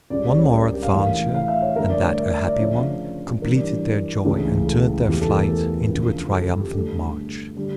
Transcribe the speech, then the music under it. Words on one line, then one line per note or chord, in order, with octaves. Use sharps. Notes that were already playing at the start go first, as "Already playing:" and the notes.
One more adventure, and that a happy one, completed their joy, and turned their flight into a triumphant march.
C#2 C#3 G3 D5
D5
C#5
A#4
A#4
G4
F5
A2 E3 A3
F5
E5
C#5
G2 D3 A3 A#4
D5
C#5
E5
E5
D5
D2 C#3 F3 C#5
G2 E3 G3 A#4
D5
C#2 C#3 E3 A3
A4
E2 E3 A3 G4
A4
A#4
A4
D2 C#3 F3
A4
A4
G4
G2 D3 A3 A4
D3 G3